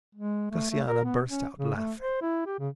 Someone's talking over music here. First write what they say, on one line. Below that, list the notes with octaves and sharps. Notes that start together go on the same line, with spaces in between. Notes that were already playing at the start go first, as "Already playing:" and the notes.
Josiana burst out laughing.
G#3
A3
A3
A#4
B3
C#4
C#3
A3
C5
E4
G4
C#3